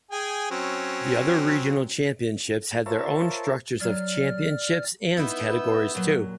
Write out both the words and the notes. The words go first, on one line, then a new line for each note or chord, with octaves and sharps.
The other regional championships had their own structures of championships and categories too.
G#4 G5 G#5
F#3 C4 C#4
F4 A#4 C5 C#5 E5 A5
F#3 D5 F6
B3 D#4 E4 B4 E6 G6
A#2 F#3